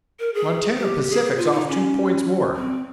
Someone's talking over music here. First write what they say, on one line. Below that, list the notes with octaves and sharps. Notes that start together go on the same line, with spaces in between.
Montana Pacific's off two points more.
A#4
G#4
G4
G#4
F4
D#4
C#4
C4